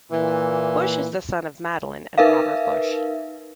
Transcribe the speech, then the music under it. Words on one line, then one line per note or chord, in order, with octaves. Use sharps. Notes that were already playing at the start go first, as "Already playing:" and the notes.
Busch is the son of Madeline and Robert Busch.
A#2 E3
D#4 A#4 B4 E5 F5